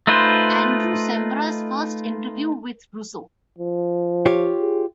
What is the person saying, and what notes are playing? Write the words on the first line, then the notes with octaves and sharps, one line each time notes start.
Andrew Sciambra's first interview with Russo.
A3 D#4 F4 B4 C5
F3
F4 G4 C#5
G#4